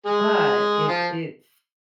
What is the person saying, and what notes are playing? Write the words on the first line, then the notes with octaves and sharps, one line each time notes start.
But if it's,
G#3 G#4
F3 F4